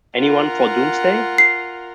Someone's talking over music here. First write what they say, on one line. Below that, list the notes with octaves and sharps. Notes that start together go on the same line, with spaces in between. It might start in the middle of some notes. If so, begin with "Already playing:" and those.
Anyone for Doomsday?
F4 A#4 F#5
C7